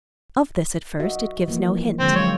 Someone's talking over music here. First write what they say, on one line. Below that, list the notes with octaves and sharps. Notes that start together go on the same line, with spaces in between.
Of this at first it gives no hint.
F#4 D#5 E5
E3 F3 A#3
D3 F3 G#3 C4
F#3 C#5 F5